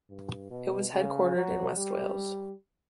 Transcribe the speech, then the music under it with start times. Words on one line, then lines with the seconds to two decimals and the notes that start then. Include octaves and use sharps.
It is headquartered in west Wales.
0.09 G2
0.51 B2
0.93 C#3
1.35 F#3
1.77 G3